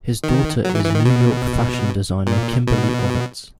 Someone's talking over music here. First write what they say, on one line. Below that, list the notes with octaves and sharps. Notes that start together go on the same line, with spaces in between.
His daughter is New York fashion designer Kimberly Ovitz.
D#3
F#3
E3
E3
D#3
B2
A#2
B2